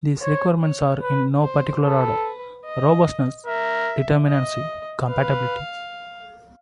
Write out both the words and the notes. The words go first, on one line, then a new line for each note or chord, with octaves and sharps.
These requirements are, in no particular order: Robustness, Determinacy, Compatibility.
C5 C#5
C#5
B4
C5
A4 B4
D#5
A#4 E5
D#5
B4 F5